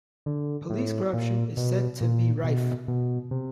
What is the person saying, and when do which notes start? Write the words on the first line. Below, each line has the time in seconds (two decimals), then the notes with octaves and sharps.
Police corruption is said to be rife.
0.26 D3
0.70 A2
1.13 A#2
1.57 B2
2.01 A#2
2.44 B2
2.88 B2
3.31 C3